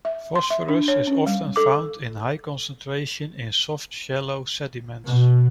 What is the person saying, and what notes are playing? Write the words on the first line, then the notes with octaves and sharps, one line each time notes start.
Phosphorus is often found in high concentration in soft shallow sediments.
E5
C6
E5
D4
C#5
C#4
G3
A4 D6
B2